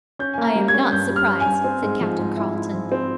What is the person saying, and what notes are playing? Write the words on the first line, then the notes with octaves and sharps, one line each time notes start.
"I am not surprised," said Captain Carleton.
C#4 G6
A#3 G#5
A#5
G3
G#6
C#4
G2 G6
G3
F6
C#4
G#5
G2
C4
G#2
F3
G#2
E4
E4
F3
C4